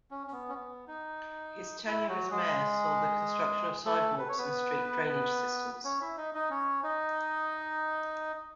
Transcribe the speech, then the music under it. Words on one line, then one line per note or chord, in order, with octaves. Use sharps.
His tenure as mayor saw the construction of sidewalks and street drainage systems.
C#4
C#4
B3
C#4
B3
D#4
E4
F#3 F#4
G#3 G#4
A3 A4
B4
C#5
B3 B4
C#4 C#5
E4 E5
D#4 D#5
D#4 D#5
C#4 C#5
D#4 D#5